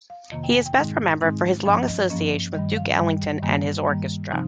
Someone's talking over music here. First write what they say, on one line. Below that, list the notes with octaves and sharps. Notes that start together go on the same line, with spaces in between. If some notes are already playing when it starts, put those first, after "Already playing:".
He is best remembered for his long association with Duke Ellington and his orchestra.
F5
F2 C3 D#3 A#3 D#5
G5
G#5
G5
G#2 D#3 G#3 C4 D#4
G#2 D#3 G#3 C4 D#4
G2 F3 A#3 C#4 F5
D#5
G2 F3 A#3 C#4 D#5
G2 D#3 G3 D#5
F5
G2 D#3 G3 G5
G2 D#3 G3 A#3 G#5
G2 D#3 G3 A#3
C3 F3 C4 D#4